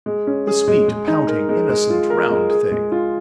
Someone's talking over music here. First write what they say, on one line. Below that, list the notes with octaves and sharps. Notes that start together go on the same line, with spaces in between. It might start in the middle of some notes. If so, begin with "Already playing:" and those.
The sweet, pouting, innocent, round thing!
G#3
C#4
G#4
G#3
G#3
D#4
A#4
G#3
G#3
F4
A#4
G#3
G#4
G#3
F4